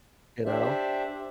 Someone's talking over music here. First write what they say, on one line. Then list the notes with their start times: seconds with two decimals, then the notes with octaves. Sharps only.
You know.
0.45 D4 G4 C5 D5 E5